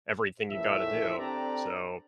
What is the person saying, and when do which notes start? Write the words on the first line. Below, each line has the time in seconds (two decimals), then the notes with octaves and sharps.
everything you gotta do, so
0.50 A#1 A2 E3 A3 E5
1.18 C4 D4 G4 A4 D5 A#5